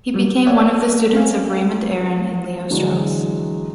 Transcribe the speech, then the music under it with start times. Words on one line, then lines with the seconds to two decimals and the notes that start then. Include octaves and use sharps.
He became one of the students of Raymond Aron and Leo Strauss.
0.14 F#3 G3
0.46 C#5 D5 E5 F#5 G#5
1.13 C4 C#4 F5 G#5
2.70 D3 E3 F#3 G#3